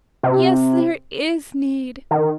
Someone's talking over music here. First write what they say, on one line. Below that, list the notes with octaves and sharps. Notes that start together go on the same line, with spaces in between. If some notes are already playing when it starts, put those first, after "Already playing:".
"Yes, there IS need!"
C3
D#3